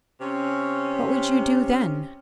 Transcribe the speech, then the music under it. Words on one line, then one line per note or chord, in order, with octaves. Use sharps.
"What would you do then?"
C3 C#4